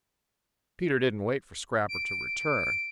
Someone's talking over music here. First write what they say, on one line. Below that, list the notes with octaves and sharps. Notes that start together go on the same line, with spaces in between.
Peter didn't wait for Scrapper to return.
D7